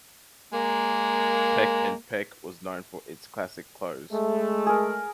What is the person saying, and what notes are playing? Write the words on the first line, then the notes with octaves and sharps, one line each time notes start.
Peck and Peck was known for its classic clothes.
G#3 A#3
G#3 A3
G#4 A#4